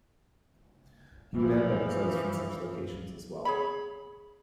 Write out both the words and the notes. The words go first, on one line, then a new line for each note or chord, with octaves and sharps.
He would end episodes from such locations as well.
E3 F3
G#4 C#5 B5